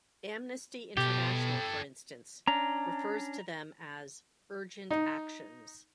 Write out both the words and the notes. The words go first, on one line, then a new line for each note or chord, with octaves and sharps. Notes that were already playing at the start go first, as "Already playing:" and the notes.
Amnesty International, for instance, refers to them as "Urgent actions".
B2 G4 A4 G5
C#4 D4 A#5
D#4